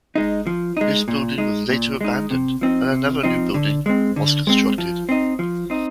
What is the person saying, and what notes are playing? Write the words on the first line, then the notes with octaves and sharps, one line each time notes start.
This building was later abandoned and another new building was constructed.
G#3 D#4
F3
G#3 D#4
A#2
G#3 D#4
A#2
G#3 D#4
C3
F3 C4 D#4
C3
F3 C4 D#4
D3
G#3 C4
D3
G#3 C4
F3
C4 D#4
F3
C4 D#4